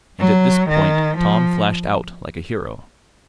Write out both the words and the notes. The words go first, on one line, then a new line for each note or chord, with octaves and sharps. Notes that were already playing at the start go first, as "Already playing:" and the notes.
And at this point Tom flashed out like a hero.
F#3
D#3
F3